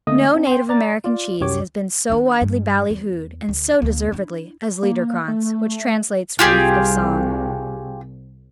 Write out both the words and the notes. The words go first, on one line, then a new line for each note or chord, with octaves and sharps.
No native American cheese has been so widely ballyhooed, and so deservedly, as Liederkranz, which translates "Wreath of Song."
D3 A3 A#3 D#5 D#6
C4 D4
G5 C6
D5 A#5 A6
F4 D5
C2 F#2 F#3 G4 C#5 D6
D#3 D4
G2
E2
D2
D2 A#3
D4 E4
A#3
A3
C2 F4 G4 G#4